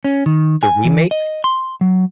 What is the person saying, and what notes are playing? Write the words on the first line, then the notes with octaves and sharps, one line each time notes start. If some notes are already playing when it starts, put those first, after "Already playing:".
the remake
C#4
D#3
G#5
E3
D#5
C6
F#3